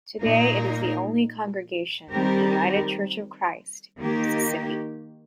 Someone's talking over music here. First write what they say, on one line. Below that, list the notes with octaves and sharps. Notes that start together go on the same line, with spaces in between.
Today it is the only congregation of the United Church of Christ in Mississippi.
A#2 A#3 D#4 A#4 F5
D#3 G3 C4 G4 A#4
D#3 A#3 G4